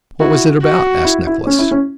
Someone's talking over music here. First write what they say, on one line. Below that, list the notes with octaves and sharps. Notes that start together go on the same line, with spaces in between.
"What was it about?" asked Nicholas.
E4 F#4
F#4
E4
E4
C#4
E4
C#4